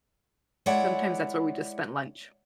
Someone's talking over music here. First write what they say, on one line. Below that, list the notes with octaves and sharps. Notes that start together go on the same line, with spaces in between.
Sometimes that's where we just spent lunch.
G#3 E4 C#5 D5 E5 F#5